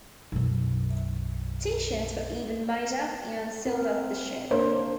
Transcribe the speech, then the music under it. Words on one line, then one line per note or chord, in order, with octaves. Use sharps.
T-shirts were even made up and sold at the shows.
B1 F#2
C4 A#4
A#3 D4 C5 C#5